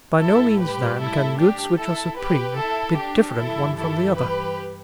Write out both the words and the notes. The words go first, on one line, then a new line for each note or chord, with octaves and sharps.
By no means, then, can goods which are supreme be different one from the other.
A2 G3 E4 A4
G4 B4
E4 A4
D4 G4
E4 A4
G4 B4
E4 A4
D4 G4
G2 E3 G3 E4 A4
E4 A4
G4 B4